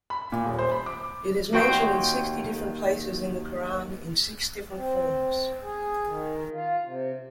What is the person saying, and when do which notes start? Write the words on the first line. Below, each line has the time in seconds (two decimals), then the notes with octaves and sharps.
It is mentioned in sixty different places in the Qu'ran, in six different forms.
0.10 B5
0.32 A#2
0.46 D#1
0.58 C5
0.71 B5
0.86 D6
1.53 D#2 F#4 G5 C6 G6
4.77 C4
5.63 G#4
6.06 D#3
6.53 F4
6.85 C3